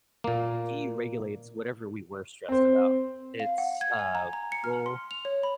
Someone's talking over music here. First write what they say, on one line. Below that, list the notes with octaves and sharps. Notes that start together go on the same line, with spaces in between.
deregulates whatever we were stressed about, it's, uh, we'll
A#2 A#3
C4 C5
F5
F#5
G#6
G#5
A#5
A#5
C#7
F6
C6
F7
C#5
B5